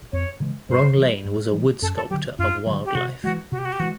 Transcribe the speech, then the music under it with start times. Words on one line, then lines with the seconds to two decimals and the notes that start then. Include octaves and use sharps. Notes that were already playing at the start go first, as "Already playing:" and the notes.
Ron Lane was a wood sculptor of wildlife.
0.12 F2 C#5
0.40 C#3 E3 G#3
0.69 G2 C5
0.97 E3 G3
1.25 G2
1.53 E3 G3
1.82 F#2 A4
1.96 A4
2.10 D3 F#3 G4
2.38 F#2 F4
2.67 D3 F#3
2.85 G4
2.95 C3 F#4
3.23 E3 G#3 F#4
3.51 C3 F#4
3.58 G4
3.65 F#4
3.72 G4
3.80 E3 G#3 F#4